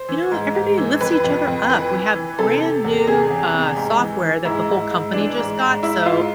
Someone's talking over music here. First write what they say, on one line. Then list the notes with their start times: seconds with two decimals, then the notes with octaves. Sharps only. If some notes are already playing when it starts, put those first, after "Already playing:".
you know, everybody lifts each other up, we have grand new, uh, software that the whole company just got, so
Already playing: C5
0.09 E3
0.32 G#2
0.55 G#2
0.77 E3
1.01 F2 B4
1.24 F2
1.47 F2
1.70 E3 B4
1.93 E3
2.15 E3
2.39 C3 A4
2.61 C3
2.84 E2
3.07 C3 G#4
3.30 E2
3.53 C3
3.76 G#2
3.99 E3
4.23 E3
4.45 G#2 E4
4.69 G#2
4.91 G#2
5.13 E3 D4
5.38 G#2
5.60 G#2
5.83 G#2 E4
6.06 G#2 F4